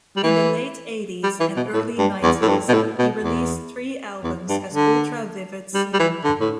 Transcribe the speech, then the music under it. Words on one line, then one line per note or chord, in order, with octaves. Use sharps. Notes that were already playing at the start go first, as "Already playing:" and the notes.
In the late eighties and early-nineties he released three albums as Ultra Vivid Scene.
G3
E3
G3
E3
B2
A2
G2
E2
A2
G2
B2
A2
B2
E2
E2
G2
D3
G3
G3
E3
D3
A2